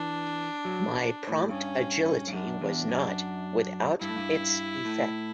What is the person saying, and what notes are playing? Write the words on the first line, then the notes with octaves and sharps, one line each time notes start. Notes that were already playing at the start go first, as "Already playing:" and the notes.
My prompt agility was not without its effect.
Already playing: E3 D4
F#3
A2
G2 C#4
G2
F#2 D4
E2
F#2
G2 E4
A2
G2
A2